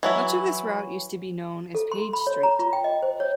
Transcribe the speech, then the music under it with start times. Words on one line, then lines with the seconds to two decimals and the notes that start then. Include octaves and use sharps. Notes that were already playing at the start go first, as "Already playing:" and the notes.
Much of this route used to be known as Page Street.
0.03 E3 F#3 E4
1.75 A4
1.92 C6
2.13 B5
2.27 C#5
2.43 A#5
2.59 F4
2.73 G5
2.84 D#5
3.03 C5
3.20 C#5